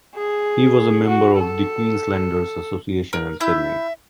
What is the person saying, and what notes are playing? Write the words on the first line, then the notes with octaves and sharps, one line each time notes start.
He was a member of the Queenslanders' Association in Sydney.
G#4
F#4
A4
A#4
E4 E5 G6